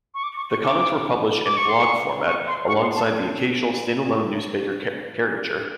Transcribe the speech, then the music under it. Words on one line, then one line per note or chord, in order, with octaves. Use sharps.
The comics were published in blog format, alongside the occasional stand-alone newsmaker caricature.
C#6
D6
C#6
C#6
D6
D6
C#6
C6
C#6
C#6
C6
C#6
C6
A5